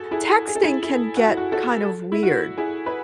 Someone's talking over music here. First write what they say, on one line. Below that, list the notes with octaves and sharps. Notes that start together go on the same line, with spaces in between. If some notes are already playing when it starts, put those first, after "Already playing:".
texting can get kind of weird.
Already playing: F#4 G#4 A4
E4 G#4
G#4
A4
E4 G#4
E4
F#4
E4
F#4
F#4 A4
E4
F#4
E4 G#4
B4